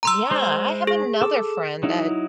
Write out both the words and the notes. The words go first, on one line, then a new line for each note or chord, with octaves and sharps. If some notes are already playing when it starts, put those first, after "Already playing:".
Yeah, I have another friend that
A#5 C6 E6
G#3 C5
G#4
A4 D6 E6
F#3 D#4 E4